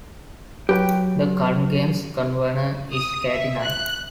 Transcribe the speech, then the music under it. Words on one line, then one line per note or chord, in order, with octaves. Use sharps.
The current Games Convener is Katie Knight.
F#3 G4 B4 G5
D#6
E5
F#6